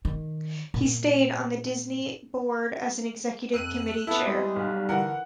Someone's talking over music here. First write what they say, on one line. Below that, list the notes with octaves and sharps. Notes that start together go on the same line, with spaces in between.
He stayed on the Disney board as executive committee chair.
D#3
A#2
F2 E6 F#6 D#7
B3 E4 A4
G3 G#3
B1
D3 E3 A#4 F#5